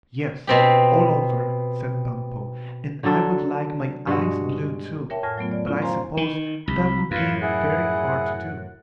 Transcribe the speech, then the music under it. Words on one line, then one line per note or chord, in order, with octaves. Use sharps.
"Yes, all over," said Bumpo--"and I would like my eyes blue too, but I suppose that would be very hard to do."
B2 C4 G4
D3 F#3 D4 A4
G2 B2 G#3 F#4
A#4 C#5 E5 G5 A5
F2 A2 G#5 F6 A#6
F#3 A3 B3 F4
D5
C#4 E4 F4
C5 F5 G#5 A#5 C6
D#3
C2 B5
F#2 A2 F4 B4
E4 G#4 F#5